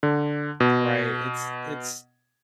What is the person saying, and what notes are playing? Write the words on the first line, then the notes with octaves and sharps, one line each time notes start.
Right. It's it's
D3
B2